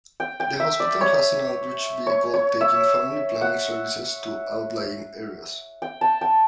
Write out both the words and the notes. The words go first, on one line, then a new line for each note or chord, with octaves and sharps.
The hospital has an outreach vehicle taking family planning services to outlying areas.
G5
G5
E5
D5
C#5
C#5
C#5
E5
F#5
G5
A5
G5